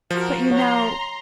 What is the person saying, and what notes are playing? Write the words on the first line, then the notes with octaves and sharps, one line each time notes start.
But you know....
F3 F#4 A#4
C#5 F#5 A#5 C6